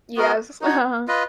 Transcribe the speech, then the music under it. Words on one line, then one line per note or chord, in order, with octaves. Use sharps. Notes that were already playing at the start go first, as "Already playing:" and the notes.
Yes. Uh-huh. Sa
B3 F#4 A#4 D#5
D#4 F#4 C#5
F4 B4 D#5